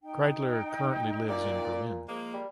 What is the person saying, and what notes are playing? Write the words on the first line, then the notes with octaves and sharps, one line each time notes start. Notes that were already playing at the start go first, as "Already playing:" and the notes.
Kreidler currently lives in Berlin.
D#4 G5
A#2 D5
F3 G#3 A#3
G3